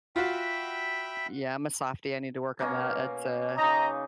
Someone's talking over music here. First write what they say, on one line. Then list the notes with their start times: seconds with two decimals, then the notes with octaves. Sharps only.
Yeah, I'm a softy, I need to work on that, it's, uh,
0.16 F4 F#4 E5 G5 B5
2.59 B2 A#3 C#4
3.58 C#3 D#4 D#5 A#5